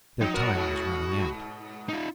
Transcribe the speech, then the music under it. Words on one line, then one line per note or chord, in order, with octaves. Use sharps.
Their time was running out.
F3 D#4
F#3 B3 F#4 A#4
G#2 B2
D#4 F4